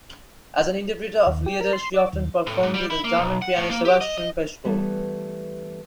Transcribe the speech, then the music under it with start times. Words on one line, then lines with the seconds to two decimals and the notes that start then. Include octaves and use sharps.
As an interpreter of Lieder, she often performed with the German pianist Sebastian Peschko.
1.27 D#2
1.46 G4
1.61 A#4
1.73 C6
1.94 D5
2.13 D#2
2.47 A2
2.63 G#2
2.74 G3
2.90 E4
3.04 A#3
3.18 B1
3.42 F#5
3.56 A2
3.71 A#3
3.85 G4
4.01 D#5
4.18 D#5
4.64 E3 G3 A3 B3